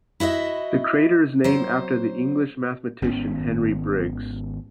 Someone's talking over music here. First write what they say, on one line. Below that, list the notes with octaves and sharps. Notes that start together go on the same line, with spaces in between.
The crater is named after the English mathematician Henry Briggs.
E4 F#4 D#5 E5
F#3 C5
G#1 D#3 B3 C#4